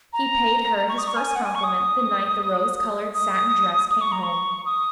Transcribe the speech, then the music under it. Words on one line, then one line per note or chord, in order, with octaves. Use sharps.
He paid her his first compliment the night the rose-colored satin-dress came home.
A#5
C#6
D#6
C#6
G#5
G#5
F#5
G#5
C#6
D#6
D#6
D#6
C#6
A#5
C#6
D#6